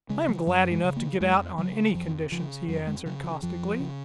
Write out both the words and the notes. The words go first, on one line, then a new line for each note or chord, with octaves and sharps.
"I am glad enough to get out on any conditions," he answered caustically.
C#3 G#3
F#3
F#2 F#3
G#3
C#3
A#3
F2 G#3
C#3 F#3
F2 F3
C#3 F3
F2 F#3
G#3
C#3 F#3
F3
F2 F3
C#3